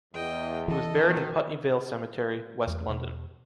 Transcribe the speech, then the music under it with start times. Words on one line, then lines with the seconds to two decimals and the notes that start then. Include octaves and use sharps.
He was buried in Putney Vale cemetery, West London.
0.14 E2 D#5 G5
0.68 E3 A4 D#5
1.05 B2 D#3
2.67 E2 G#3 A3
2.87 E2 B2